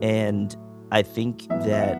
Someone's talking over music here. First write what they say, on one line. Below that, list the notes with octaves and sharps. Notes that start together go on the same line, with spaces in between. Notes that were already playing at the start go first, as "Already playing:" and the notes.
and I think that
Already playing: A2 F#3 A3
F#2 E3 B3 E5
E5
F#5